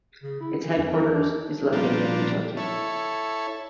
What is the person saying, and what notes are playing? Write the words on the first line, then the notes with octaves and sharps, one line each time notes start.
Its headquarters is located in Tokyo.
C#3
E4
E3
F2
A#4
D4
A#2 F3 G3 D4
E4 A4 C#5